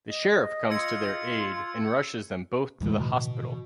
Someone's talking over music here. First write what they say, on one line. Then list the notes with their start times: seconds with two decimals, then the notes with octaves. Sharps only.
The sheriff comes to their aid and rushes them both to the hospital.
0.08 D#5
0.70 F4 E6 G#6 C#7
2.81 E2 A2 D3 E3 G#3 A3
2.97 B2